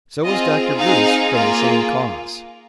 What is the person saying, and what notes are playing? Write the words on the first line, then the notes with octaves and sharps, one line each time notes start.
So was Dr. Bruce from the same cause.
C4 F4 G#4 D#5
C4 D#4 G#4 F5
A#3 F4 G#4